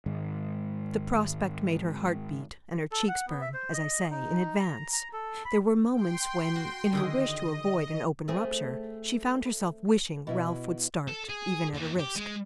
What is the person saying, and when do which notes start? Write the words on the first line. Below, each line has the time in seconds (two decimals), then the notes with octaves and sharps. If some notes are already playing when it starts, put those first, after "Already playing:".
The prospect made her heart beat and her cheeks burn, as I say, in advance; there were moments when, in her wish to avoid an open rupture, she found herself wishing Ralph would start even at a risk.
0.06 G#2 D#3 G#3
2.92 A4
3.08 F#5
3.27 B3
3.41 E5
3.54 C5
3.73 D#5
4.11 D#4
4.59 A#5
4.92 A#5
5.13 A4
5.45 B5
5.93 G5 C6
6.56 F#4
6.93 D3 D#3 G#4 D#5
8.28 A3 C4 G#4
10.27 B2 E4 D#5
11.08 A4
11.29 G#4
11.74 D#2 E3
11.99 G4
12.16 G#3